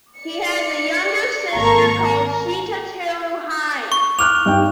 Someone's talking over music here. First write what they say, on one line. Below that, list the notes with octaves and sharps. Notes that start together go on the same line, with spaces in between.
He has a younger sister called Shita-Teru-Hime.
D5 C#7
G#1 A#3 A4 A#5 C#6
A#4
C#6
D6 F6 F#6 F7
G2 D#4 G5